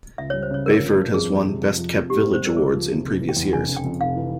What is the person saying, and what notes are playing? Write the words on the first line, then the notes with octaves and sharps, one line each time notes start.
Bayford has won 'best kept village' awards in previous years.
C#2 E5
G3 C#5
C5
C#3 C#5
G1 A#4
F3
G2
F2 G#4
G3
C3
F2
F3
C3
G#2 G4
C4
C5
G3 A#4
C#2 G#4
F3
C3
F1
E3
G5
E2
F1 G#5
C#3
G5
F2
F1 F5
E3